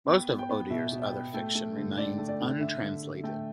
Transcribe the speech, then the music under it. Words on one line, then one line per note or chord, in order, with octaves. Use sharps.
Most of Odier's other fiction remains untranslated.
B3 G5
B3
G5
B3
B2 E5
B2
G5
B3
A3 G5
A3
D3
D3 D5
A3
D5
D3
D3 E5
D3
D3
A3 G5